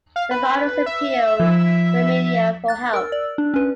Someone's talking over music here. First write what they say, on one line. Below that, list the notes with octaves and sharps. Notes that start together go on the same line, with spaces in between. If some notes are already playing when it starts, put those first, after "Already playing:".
The founders appealed to the media for help.
F5
B4
E5
F3
F#6 A6
A#4 E6
D5
D4
C#4 B4